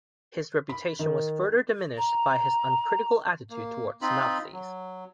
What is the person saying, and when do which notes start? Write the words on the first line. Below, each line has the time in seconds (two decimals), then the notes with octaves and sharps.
His reputation was further diminished by his uncritical attitude toward the Nazis.
0.69 B5
0.99 D#3
1.98 A#5
3.50 A#3
4.02 C4 D#4 F4 B5
4.52 F#3